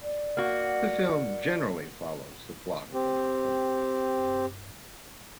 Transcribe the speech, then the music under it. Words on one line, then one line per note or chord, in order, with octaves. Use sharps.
The film generally follows the plot of the novel.
D5
A#3 F#4
C4 G4